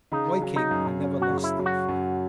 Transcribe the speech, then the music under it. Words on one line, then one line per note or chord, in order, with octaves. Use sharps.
Waking, I never lost that fear.
C#3 D#4
F#3
D#4
F#2
C#4
F#4
C#3
E4
F#3
F#4
F#2